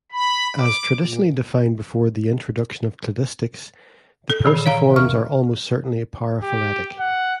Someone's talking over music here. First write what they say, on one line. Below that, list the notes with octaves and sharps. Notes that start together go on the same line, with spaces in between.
As traditionally defined before the introduction of cladistics, the Perciformes are almost certainly paraphyletic.
B5
D6
A#2
A4
A#2 D#3 E3
C#5 F5 A#5
D#2 C3 F6
G4
F#5